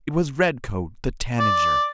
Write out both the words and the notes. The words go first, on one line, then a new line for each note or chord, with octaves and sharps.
It was Redcoat the Tanager.
D5